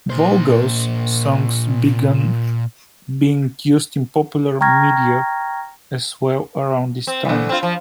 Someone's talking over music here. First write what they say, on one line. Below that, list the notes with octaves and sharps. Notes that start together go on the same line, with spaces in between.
Voegele's songs began being used in popular media as well around this time.
A#2 C5
G5 A#5 C#6 F6 G#6 A#6
C4
D3 E3
C4 F4
F3